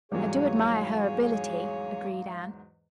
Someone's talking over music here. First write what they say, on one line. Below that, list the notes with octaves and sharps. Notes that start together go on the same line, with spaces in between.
"I do admire her ability," agreed Anne.
E2 G#2 F#3 G3 G#4 C#5 F5